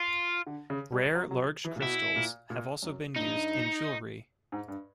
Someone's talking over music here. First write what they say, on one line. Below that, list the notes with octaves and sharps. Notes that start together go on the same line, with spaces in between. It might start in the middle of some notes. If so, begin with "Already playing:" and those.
Rare large crystals have also been used in jewelry.
Already playing: F4
D3
C#3
G3
F#3
F#3
E3
A#2
B2 E4
A#2
A#2
F#2
G2 D#4
G#2
G2